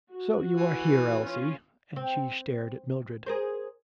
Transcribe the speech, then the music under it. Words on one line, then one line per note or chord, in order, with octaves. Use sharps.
'So you are here, Elsie,' and she stared at Mildred.
F#4
E3
C#4 F4
C4
G#4 A#4 C5